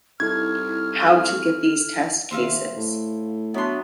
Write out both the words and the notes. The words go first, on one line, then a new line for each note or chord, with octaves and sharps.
How to get these test cases?
C2 D#4 E4 A4 F6 G#6
D#2 C5 E5 F5
A2
F#3 B3 D4 E4 C6